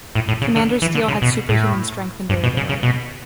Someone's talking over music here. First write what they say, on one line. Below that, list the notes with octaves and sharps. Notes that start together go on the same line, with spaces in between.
Commander Steel had superhuman strength and durability.
A2
A2
C#3
D3
E3
D3
C#3
B2
A2
G2
B2
C#3
C#3
B2